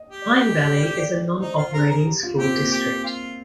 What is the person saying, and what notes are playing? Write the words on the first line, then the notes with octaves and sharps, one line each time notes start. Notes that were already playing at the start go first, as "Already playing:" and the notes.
Pine Valley is a non-operating school district.
Already playing: D#5
G4
D5
D5
D5
D#4 C5
F4
G#4 A#4
A#4
G4
F4
C4 G4
A#3
G4
F4